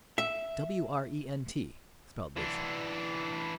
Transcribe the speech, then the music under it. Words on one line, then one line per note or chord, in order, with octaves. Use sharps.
"W-r-e-n-t!" spelled Lucian.
E5
E3 D4